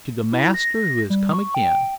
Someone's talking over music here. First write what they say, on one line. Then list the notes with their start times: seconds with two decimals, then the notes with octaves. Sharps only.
To the master who has come again!
0.32 E4
0.54 A#6
1.10 G3
1.33 C#6
1.55 G5